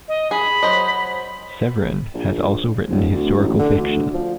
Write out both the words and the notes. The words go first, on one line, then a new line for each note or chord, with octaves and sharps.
Severin has also written historical fiction.
D#5
G#4 B5
F#3 C5 D#5
A#1
D1
D2
A1
D3
D2
F3